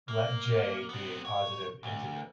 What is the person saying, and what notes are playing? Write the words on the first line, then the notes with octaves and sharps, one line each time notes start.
Let "j" be a positive integer.
A#3
B3 C4
C#5
D2